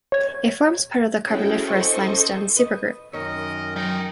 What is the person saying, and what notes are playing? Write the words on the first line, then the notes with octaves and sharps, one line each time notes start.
It forms part of the Carboniferous Limestone Supergroup.
C#5 G#6
C#4 E4 F#4 G#4 A4 G5
A4 C5 D#5 C#6
B4 D#5
F#2 D#3 D#4 A#4 C#5 D#5
F#3 D#4 D#5 G5